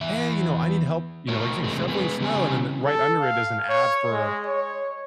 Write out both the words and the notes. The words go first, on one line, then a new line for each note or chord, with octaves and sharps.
"Hey, you know, I need help," you know, like you're saying, "shoveling snow," and then the right under it is an ad for,
E2 E3 E5
A3 F#4 A#4 C#5
E2 C3 G#3
G#3 B3
C#3 E3 G3 C4 C#4 G#5
A4
F5
C#5
G#3
C#5